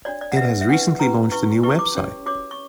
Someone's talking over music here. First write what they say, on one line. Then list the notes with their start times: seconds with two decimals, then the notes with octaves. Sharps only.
It has recently launched a new website.
0.05 D4 F#4 C#5 D5
0.21 D5
0.32 F#5
0.37 F#4 B4 E5
0.61 E5
0.69 D4 G4 B4 F#5
1.00 C#4 G4 B4 A#5
1.32 E4 B4 C#6
1.63 E4 G4 B4 C#6
1.79 D6
1.95 C#4 G4 C#5
2.26 F#4 C#5 D6
2.51 C#6